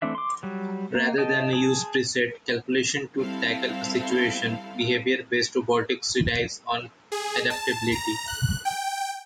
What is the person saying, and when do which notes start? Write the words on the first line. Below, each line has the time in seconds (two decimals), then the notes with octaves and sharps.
Rather then use preset calculations to tackle a situation, behavior-based robotics relies on adaptability.
0.02 E3 A3 C4 D4 E5
0.15 C6 D6
0.43 F#3 G3
0.95 A#3
1.18 D#5 G5 A5
1.53 G#4 A5
3.17 G3 C4 E4 A4 F5
7.12 G#4
7.50 A5
7.92 A#5
8.27 F#6
8.65 G5